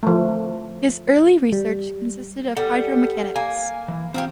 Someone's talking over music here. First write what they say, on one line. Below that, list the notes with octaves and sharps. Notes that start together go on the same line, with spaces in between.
His early research consisted of hydromechanics.
F3 A3
G3
G3 B3 A4
A#3 G#5
E3
F3 A#3 C4 G4